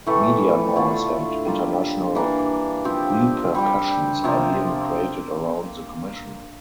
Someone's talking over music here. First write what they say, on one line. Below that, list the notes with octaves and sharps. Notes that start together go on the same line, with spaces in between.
Media noise and international repercussions are being created around the commission.
A2 E3 A3
D3 A3 D4 F4
G3 A#3 F4
E3 A#3 D4
F3 C4 G4
G3 C4 G4
C3 F3 A#3